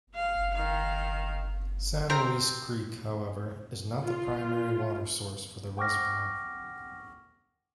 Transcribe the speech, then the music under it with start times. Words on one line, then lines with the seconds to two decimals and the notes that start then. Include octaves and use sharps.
San Luis Creek, however, is not the primary water source for the reservoir.
0.15 F5
0.55 D#3 F5
2.10 C4 G4 A#4 A#5
4.04 F4
5.77 F#5 G5 C#6 D6 F6 A#6